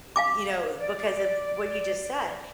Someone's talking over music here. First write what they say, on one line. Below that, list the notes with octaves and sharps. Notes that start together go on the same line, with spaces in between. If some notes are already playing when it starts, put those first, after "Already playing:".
Y you know, because of what you just said,
F5 G#5 D6
D5